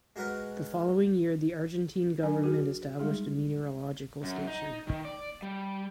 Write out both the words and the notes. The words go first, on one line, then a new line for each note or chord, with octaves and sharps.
The following year the Argentine Government established a meteorological station.
G#3 F#4 A#4 B4 F#5
F#3 D4 A#4 G#5
F#4 G#4
G3 G#3 D#4 G#4
F#2
D#4
D#3
D5
G3